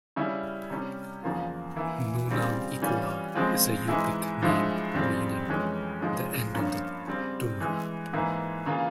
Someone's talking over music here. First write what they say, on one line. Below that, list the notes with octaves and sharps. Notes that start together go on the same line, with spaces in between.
"Nunam Iqua" is a Yupik name meaning "the end of the tundra".
C#3 G3 C#4 E4
C3 G3 C#4
E2 C#3 F3 A#3 F4
E3 A#3 E4
C#3 G3 C4 F4
E3 G3 C#4 F4
C#3 F3 G#3 C4 F4
G#2 E3 G#3 E4
G2 F3 G#3 E4
F2 C#3 G3 C4
F2 E3 G#3 C#4
G#2 F3 G#3 C#4
G2 F3 A#3 C#4 F4
C#3 G3 C4
E3 G#3 E4
G#2 E3 A#3 E4
C#3 E3 A#3 F4